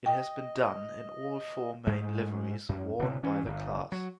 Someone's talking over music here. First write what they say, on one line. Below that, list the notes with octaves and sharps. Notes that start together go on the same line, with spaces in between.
It has been done in all four main liveries worn by the class.
D#5 G5
G#2 G#3 A3
F#2
D1 C3
E3 C#4
G1
F#3